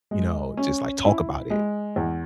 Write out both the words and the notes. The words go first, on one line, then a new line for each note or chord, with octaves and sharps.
you know, just, like, talk about it,
G#3
C#4
E4
G#3
E2